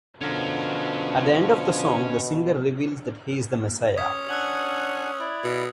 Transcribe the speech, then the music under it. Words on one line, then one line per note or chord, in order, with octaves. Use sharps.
At the end of the song the singer reveals that he is the messiah.
B2 D3 F3 C#4 A#4
C#4 D#6 G#6 B6
D4 F#5 G#5 E6 F#6 F#7
E4 D5
B2